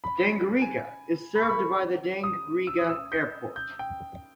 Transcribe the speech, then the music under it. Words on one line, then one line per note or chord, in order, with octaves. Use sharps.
Dangriga is served by the Dangriga Airport.
B5
G#5
B5
C#6
B5
D#6
E6
D#6
E6
G6
G6
G5